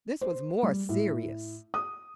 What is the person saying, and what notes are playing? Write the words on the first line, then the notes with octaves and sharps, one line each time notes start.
This was more serious.
C5
G3
A2
D#6